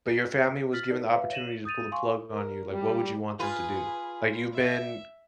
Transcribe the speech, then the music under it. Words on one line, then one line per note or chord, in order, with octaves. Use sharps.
But, your family was given the opportunity to pull the plug on you, like, what would you want them to do? Like, you've been,
F6 A6 B6 F#7
D#4 A#4 D5
B4 E5 F5
C#5 A#6 D#7 E7 F#7
D#6 G6 A6 D#7 F7
F5 G#5 C6 C#6
A#4
G3
F4 G#4 B4
E5